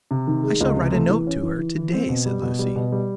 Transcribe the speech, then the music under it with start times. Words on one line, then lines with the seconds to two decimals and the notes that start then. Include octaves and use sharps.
"I shall write a note to her to-day," said Lucy.
0.11 C3
0.27 D#3
0.43 G#3
0.61 C#2
0.76 C3
0.93 A3
1.10 E3
1.27 C#4
1.43 E3
1.59 E3
1.76 E3
1.93 C4
2.09 B2
2.26 G3
2.42 B2
2.59 G3
2.76 B2
2.92 G3